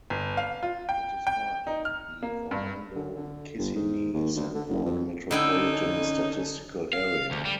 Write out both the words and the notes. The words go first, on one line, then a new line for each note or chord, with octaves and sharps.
It is part of the Orlando-Kissimmee-Sanford Metropolitan Statistical Area.
G1
F5
F4
G5
G5
D#4
F6
A#3
G2
D3
D3
G1
G#2
D#2
D2
D3
F#1
F2
D3 C#4 D#4 E4 A4 G5
F5
D2
G3